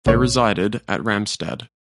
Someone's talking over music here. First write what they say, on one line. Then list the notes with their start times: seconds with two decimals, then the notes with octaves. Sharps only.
They resided at Ramstad.
0.06 A#1 A2 C#3 C#5